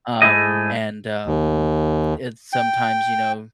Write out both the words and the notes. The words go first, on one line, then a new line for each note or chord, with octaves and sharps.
Um, and, um, it's sometimes, you know,
G#2 F#3 A3 E4 G#4 D#5
D#2
G5